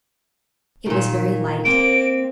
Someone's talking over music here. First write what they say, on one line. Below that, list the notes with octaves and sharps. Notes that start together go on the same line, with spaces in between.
It was very light.
A#2 D#3
A#3 C4 D7